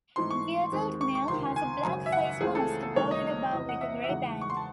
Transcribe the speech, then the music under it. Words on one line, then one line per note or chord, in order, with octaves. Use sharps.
The adult male has a black facemask, bordered above with a gray band.
G#2 E3 A3 C4 D#4 C6
C#6
D#2 D#3 G#3 C4
C#6
C#6
C#2 C3 D#3 C6
G#5
G#1 F#2 C#3
E5
F#5
C#2 C#3 E3 A3 C4 G#4
A4
A4
C2 C3 D#3 A3 C#5
D#5
E2 C3 E3 C4
F#5
E5
E5
E2 C#3 E3 G#3 D#4 F#5
C#6
C6
A5